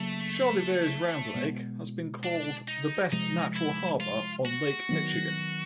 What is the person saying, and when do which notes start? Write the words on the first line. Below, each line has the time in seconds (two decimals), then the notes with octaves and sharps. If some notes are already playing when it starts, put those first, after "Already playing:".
Charlevoix's Round Lake has been called the best natural harbor on Lake Michigan.
Already playing: C#3 F#3 A3 A#3
1.35 B2 G#3 B3
2.23 D4
2.68 D#4
3.12 C3 F3 G#3 D#4
3.56 E4
4.00 F4
4.45 F#4
4.89 D#3 F#3 B3